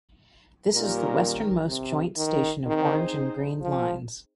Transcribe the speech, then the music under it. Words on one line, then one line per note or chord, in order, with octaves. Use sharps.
This is the westernmost joint station of Orange and Green lines.
A#2 D#3 G3 C#4 G4 A#4
C3
D#3
D#3 C4 D#4 G#4 C5
F3